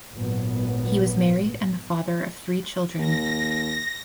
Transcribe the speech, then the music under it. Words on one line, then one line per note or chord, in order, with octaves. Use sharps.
He was married and the father of three children.
G#1 A#2 F#3 B3
D#2 A#6